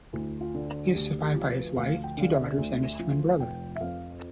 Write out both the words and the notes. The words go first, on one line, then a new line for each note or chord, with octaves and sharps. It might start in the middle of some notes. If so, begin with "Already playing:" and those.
He was survived by his wife, two daughters, and his twin brother.
D2 E4
F4
D3
D2 G4
G4
F3
B4
D2 F5
G5
D3 F5
E5
D2
F3
F1 G5
E5
F2 F5